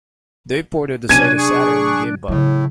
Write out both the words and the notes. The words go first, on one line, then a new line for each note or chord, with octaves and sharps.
They ported the Sega Saturn game Bug!
C3 F#3 C#4 D4 G#6 D#7
G#4 C#6
A2 C#3 F#3